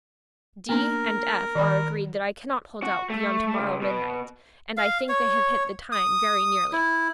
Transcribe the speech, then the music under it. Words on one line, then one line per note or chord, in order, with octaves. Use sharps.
D---- and F---- are agreed that I cannot hold out beyond to-morrow midnight; and I think they have hit the time very nearly.
A#3 B3 D4 A#4
D#3 D5 B5
F#4
A3
C#2
B2
F5
C#5
D#6
E4